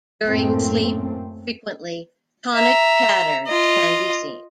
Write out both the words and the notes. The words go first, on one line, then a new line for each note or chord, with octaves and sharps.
During sleep, frequently, tonic patterns can be seen.
F#2 A2 A3 A#3 C4 C#4
E5 A#5
F4 D#5